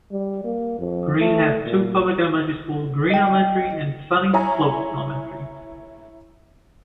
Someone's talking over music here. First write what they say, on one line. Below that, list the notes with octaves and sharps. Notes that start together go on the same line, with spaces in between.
Green has two public elementary schools, Green Elementary and Sunnyslope Elementary.
G3
A#3
F2
A3
A#2
D#5 G5
E4 C#5 G#5 A#5